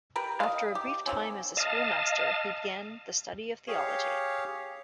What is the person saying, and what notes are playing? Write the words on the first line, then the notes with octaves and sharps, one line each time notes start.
After a brief time as a school master, he began the study of theology.
G4 A#4 B4
D#5 F5
G4
D#3 G#3 C4 C#4
D#5 F5 A5
G4 G#4 C#5 F5